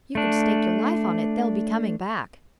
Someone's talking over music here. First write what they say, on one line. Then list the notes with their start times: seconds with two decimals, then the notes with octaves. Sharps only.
You could stake your life on it, they'll be coming back.
0.15 A3 D4